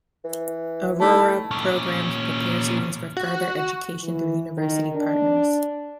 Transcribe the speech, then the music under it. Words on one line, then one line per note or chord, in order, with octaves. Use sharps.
Aurora programs prepare students for further education through university partners.
E3
A3 D#4 E4 A5
A#2 C#4
F#4
E3
D#3
D4